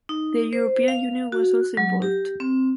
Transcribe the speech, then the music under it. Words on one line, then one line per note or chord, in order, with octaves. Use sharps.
The European Union was also involved.
D#4
C5
F5
F#4
F#3
G4
C4